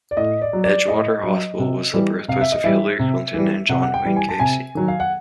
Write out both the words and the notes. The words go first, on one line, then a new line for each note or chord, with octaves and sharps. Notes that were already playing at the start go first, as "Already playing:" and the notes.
Edgewater Hospital was the birthplace of Hillary Clinton and John Wayne Gacy.
D5
A2 D#5
D5
F#3
D5
A2 D#5
F#3
C3
E3 G3
C3 F5
E5
D#5
E3 G3 E5
C3
E3 G3
C3 F#5
F#5
G5
E3 G3
G#5
A5
C3 G#5
D#3 F#3
F5
F#5